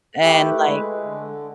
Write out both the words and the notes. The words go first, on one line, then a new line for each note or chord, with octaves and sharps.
and, like
A3 E4 G4 B4
G#3
D3